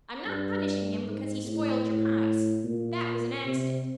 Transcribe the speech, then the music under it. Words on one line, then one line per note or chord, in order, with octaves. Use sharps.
I'm not punishing him because he spoiled your pies . . . that was an accident.
G2
G#2
A2
A2
A#2
C3